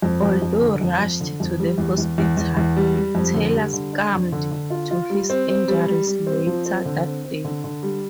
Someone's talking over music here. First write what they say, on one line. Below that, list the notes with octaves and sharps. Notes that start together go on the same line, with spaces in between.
Although rushed to the hospital, Taylor succumbed to his injuries later that day.
F2
F2
F2
D3
F2
F2
D3
F2
G3
E2
E2
E2
E2
E2
G3
G3
F2
D3
G3
D3
D4
F2
D3
D3
F4
F4
G3
C4
C4
G3
G3
G3
C4
F3
C4
D3
C4
C4
D3
D3
G3